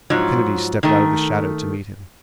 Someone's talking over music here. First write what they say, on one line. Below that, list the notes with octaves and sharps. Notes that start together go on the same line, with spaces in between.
Kennedy stepped out of the shadow to meet him.
G#2 F3 F#3
D#3 A3